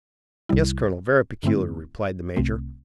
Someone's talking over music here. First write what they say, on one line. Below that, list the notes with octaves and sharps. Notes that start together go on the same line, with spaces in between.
"Yes, colonel; very peculiar," replied the major.
C2 C3 G3 E4
G2 D3 A3 C4 E4
C2 C3 A3 C4